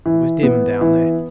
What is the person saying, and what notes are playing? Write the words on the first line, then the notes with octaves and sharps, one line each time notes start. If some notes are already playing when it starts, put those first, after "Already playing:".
It was dim down there.
E3
B3
E3